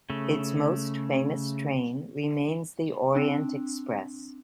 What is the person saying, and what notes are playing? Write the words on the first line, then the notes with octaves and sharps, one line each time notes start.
Its most famous train remains the Orient-Express.
C#3 A3
C4 D4